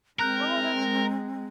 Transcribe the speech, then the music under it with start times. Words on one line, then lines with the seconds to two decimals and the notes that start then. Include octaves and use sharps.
No, tha
0.19 G#3 C4 A#4 A#5 F#6 G6